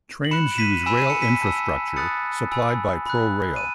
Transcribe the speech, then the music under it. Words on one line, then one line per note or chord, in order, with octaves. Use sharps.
Trains use rail infrastructure supplied by ProRail.
F#7
B5 F#6 C#7 E7
E7
B6 D#7
G#5 B5 E6 E7
D#7
C#7
B6 D#7
A5 E6
B5 D#6 F#6 A6 C#7
G#5 B5 E6
B5 F#6
D#7